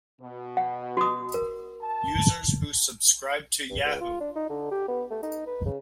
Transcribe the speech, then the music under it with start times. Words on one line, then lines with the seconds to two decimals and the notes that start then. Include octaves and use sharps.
Users who subscribed to Yahoo!
0.21 B2
0.57 F#5
0.97 F#4 D#6
1.34 A#4
1.82 A5
3.70 G2
3.84 C#2
4.01 F4
4.20 D4
4.36 D#4
4.50 D3
4.71 G4
4.88 B3
5.11 A3
5.23 D#4
5.47 B4
5.66 C#3